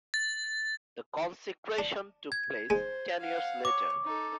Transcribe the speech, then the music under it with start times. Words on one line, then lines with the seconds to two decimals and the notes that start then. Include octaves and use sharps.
The consecration took place ten years later.
0.14 A6
1.78 D4
2.32 G#6
2.70 G#3 D#4 C5
3.19 F5 F#5
3.65 C#5 D6
4.04 D#4 A4